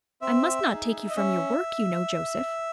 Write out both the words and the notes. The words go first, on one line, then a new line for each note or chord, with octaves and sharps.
"I must not take you from your work, you know, Joseph."
C4 E5
D#4 G#4
D#5
C#4 E5